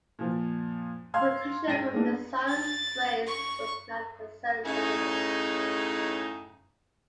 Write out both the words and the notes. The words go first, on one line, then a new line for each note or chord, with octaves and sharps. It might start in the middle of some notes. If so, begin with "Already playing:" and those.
Protection from the Sun's rays was not a concern for him.
A#2 F3
F5 C6 E6 F6 G#6
G#2 G5 A#6 D#7
G#3 A#3 B3 D4
A6
C#6
A2 C#3 D#4